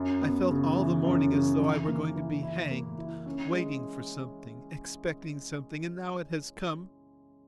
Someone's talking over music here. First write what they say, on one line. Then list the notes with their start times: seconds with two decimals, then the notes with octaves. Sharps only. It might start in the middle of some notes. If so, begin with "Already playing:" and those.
I felt all the morning as though I were going to be hanged, waiting for something, expecting something, and now it has come!
Already playing: F#2
0.21 B3
0.49 C#3
0.77 E3
1.04 F#2
1.32 C#3
1.60 E3
1.87 A#3
2.15 E3
2.43 E4
2.71 A#3
2.98 E4
3.26 C#4
3.53 G#3